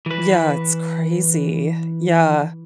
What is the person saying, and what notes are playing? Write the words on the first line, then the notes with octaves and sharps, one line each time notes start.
Yeah, it's crazy. Yeah,
E3 B4